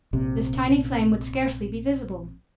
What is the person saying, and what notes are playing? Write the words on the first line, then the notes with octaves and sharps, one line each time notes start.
This tiny flame would scarcely be visible.
A#1 C3